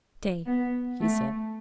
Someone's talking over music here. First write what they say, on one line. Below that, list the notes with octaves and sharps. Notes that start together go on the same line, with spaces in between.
"Stay!" he said.
B3
A3